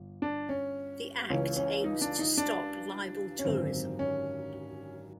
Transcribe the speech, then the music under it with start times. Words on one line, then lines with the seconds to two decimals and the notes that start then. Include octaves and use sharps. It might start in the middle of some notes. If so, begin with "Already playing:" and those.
The Act aims to stop libel tourism.
Already playing: G1
0.22 D4
0.49 C#4
1.30 C#2 C#3 E3 C#4
1.56 C#4
1.84 D#4
2.02 D4
2.19 D#4
2.38 D4
3.39 C#4
3.45 G#1 F#2 D3 C4
3.99 C#4